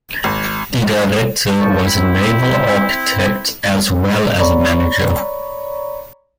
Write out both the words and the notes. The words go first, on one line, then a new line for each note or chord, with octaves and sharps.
The Director was a naval architect as well as a manager.
G#1
C2 A2 F3 A5 C#6
C4 E4
C#5 D5 A#5 B5 C#6